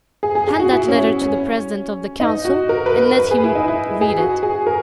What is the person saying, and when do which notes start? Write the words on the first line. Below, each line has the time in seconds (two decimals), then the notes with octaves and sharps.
Hand that letter to the President of the Council, and let him read it.
0.23 G#4
0.35 G#4
0.48 G#4
0.59 F#4
0.72 E4
0.88 C#4
1.22 C#4
2.20 D#4
2.45 F#4
2.69 A#4
2.86 B4
3.02 B4
3.19 B4
3.31 G#4
3.44 E4
3.55 D#4
3.68 E4
4.01 G#4
4.18 F#4
4.43 G#4
4.67 A#4